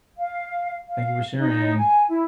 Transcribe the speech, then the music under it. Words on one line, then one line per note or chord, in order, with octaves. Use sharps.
Thank you for sharing, and
F5
F5
D#4
G#5
E4